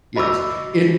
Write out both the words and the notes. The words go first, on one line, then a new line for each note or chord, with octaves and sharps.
Yes. It
F#4 D#5 B5 C#6 D6 E6